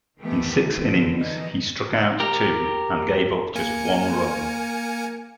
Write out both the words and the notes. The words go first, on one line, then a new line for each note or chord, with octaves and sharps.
In six innings, he struck out two and gave up just one run.
D#3 E3 A3 B3 G4
A#2 D3 E3 F3 B3 C4
E3 D#4
G4 A#4
A#3 G#5 C#7